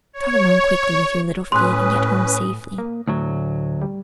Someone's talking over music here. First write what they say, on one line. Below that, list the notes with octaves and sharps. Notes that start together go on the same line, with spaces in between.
Trot along quickly with your little feet, and get home safely.
C#5
A2 C#4 B4 C6 D#6 F#6
A#3
D2 A2 F#3
G3